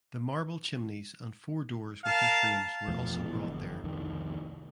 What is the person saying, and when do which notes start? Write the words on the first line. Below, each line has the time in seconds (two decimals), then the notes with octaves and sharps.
The marble chimneys and four doors with their frames were also brought there.
2.04 A#4 F5 A5
2.88 F2 B2 F3 A3
3.26 A#1 B2 E3
3.47 G1
3.84 C2 F2 D#3